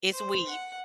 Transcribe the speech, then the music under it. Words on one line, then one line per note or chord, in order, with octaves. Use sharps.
It's weave.
C5
F#5